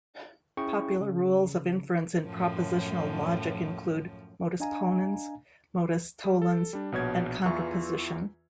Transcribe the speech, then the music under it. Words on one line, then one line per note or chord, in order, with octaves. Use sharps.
Popular rules of inference in propositional logic include "modus ponens", "modus tollens", and contraposition.
C#4 E4 G#4 G5 C#6
C#3
F#2 A2 F3
D4 D#5 F5 G#5 A#5
G3
A4
G3 D4
A#1 B2 C#5 G#6
E2 E3 F4 E5 C6 C#6